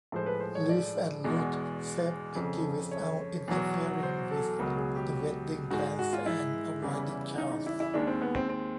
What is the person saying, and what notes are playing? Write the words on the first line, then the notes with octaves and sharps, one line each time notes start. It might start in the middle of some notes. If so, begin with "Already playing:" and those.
Reese and Root save Maggie without interfering with the wedding plans and avoiding chaos.
A2 F3 G#3 C5
B4
C5
C#5
D5
E2 B2 G#3
F2 C#3 F3
C#5
E2 B2 F#3
C5
A4
C#2 B2 F#3 A#4
G#4
G4
G#2 D#3 G#3 F#4
F#4
F4
E4
E2 C#3 E3 G3
D#4
D#4
E4
E4
D#2 D#3 G#3 D4
C4
B3
C4
C4